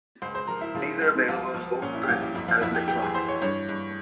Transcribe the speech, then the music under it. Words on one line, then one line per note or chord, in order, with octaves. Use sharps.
These are available in both print and electronically.
C#2 C5 C6
C5 C6
F3 A#4 A#5
E4 E5
C#3 F3 F4
C#2
C2 F3 F4
F3
A#2 C#4
E4
G4
C2 F3 F4
E4
F2 E4
F3 F4
F2 E4 E5
G4 G5
E3 G4 G5
G#4 G#5
E3 C5 C6
C#5 C#6
G2 C#5 C#6
G2